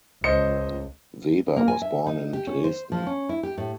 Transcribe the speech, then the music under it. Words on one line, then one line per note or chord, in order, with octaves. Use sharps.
Weber was born in Dresden.
C#2 C5 D#5 C#7
A#3
G#5
E5
D#4
G4
C#4
C5
F3
C#4
E4
G4
A2